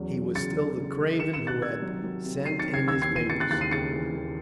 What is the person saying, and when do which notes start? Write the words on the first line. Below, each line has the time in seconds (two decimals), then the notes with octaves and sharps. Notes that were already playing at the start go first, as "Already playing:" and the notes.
He was still the craven who had sent in his papers?
Already playing: E2 F#3 C#4
0.14 E2
0.35 C#3 A6 C#7
0.57 C#3
0.77 C#3
0.98 C#3
1.19 D#3 C#7 E7
1.33 C#7 E7
1.41 C3
1.47 F#6 A6
1.61 C3 E6 G#6
1.82 F#3
2.03 F#3
2.25 C3
2.46 D#3 C7 D#7
2.59 A6 C#7
2.66 C3
2.74 G#6 C7
2.87 D#2 E6 G#6
3.02 G#6 C7
3.09 E3
3.16 C7 D#7
3.30 C#3 A6 C#7
3.40 F#6 A6
3.51 D#2 F#6 A6
3.61 C7 D#7
3.71 C#3 A6 C#7
3.93 E3
4.14 D#2